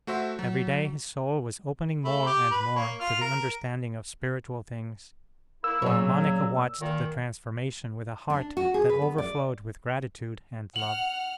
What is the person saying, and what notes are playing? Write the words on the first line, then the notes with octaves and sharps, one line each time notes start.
Every day his soul was opening more and more to the understanding of spiritual things, while Monica watched the transformation with a heart that overflowed with gratitude and love.
A3 F#4 C5 E5
F#3
A3 B5
G4
B4 B5
A#3 C#5
F4 F6
A#4
A#3 E4 E6
A#2 C#3 F#3 C#5
A#2 D#3
D4
F#4
G#4
B4
B3
D5
F#5 F6 F#7